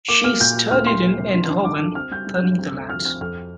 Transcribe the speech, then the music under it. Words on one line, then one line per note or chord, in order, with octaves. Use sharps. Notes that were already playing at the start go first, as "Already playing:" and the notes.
She studied in Eindhoven, The Netherlands.
A#3 D6
A#3 F6
A#2 G6
A#2
D2 F6
A#3 C6
A#3
C3
D4
D4
G2 D6
D3
C4 F6
G3 G6
G3
G6
G2
C4
D2
F3 F6
C4 F6
F2 F6